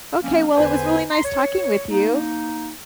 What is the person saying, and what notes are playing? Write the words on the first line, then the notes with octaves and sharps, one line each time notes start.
Okay, well, it was really nice talking with you.
F3 A#3 C4 C#4
E2 D3 B4 C5 G#5
A#5 C6
C#5
A#3 D#4